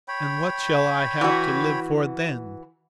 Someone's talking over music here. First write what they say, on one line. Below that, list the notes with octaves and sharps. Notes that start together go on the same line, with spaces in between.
And what shall I have to live for then?
C#5 G5 B5
E3 F#4